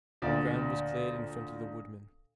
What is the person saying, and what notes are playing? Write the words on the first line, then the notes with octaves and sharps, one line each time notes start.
The ground was cleared in front of the woodmen.
D2 A#2 D5